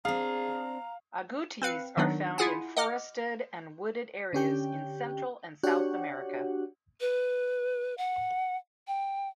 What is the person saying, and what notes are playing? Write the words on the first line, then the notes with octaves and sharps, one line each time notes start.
Agoutis are found in forested and wooded areas in Central and South America.
C4 D4 G#4 F5 A#5
C4 B4 F5 C#7
D#3 F#3 B3 D4 D#4
E4 F4 G#4 F#5 G#5
D#5 F#5 D6 F6
D3 C#4 G4 G5
D4 F#4 G4 C#5 F#5
B4
F#5
G5